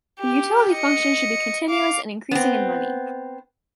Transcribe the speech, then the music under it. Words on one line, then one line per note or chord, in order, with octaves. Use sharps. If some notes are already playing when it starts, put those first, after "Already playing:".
The utility function should be continuous and increasing in money.
G4
D#5 C#7
F5 D6
B3 C4